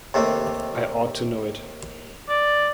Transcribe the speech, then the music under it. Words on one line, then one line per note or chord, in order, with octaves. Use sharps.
I ought to know it.
D#2 C3 A3
D5